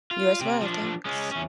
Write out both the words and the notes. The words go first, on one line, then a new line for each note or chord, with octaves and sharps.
You as well, thanks.
F4
C3
F3 D4
G#3 C#4
E2 C#4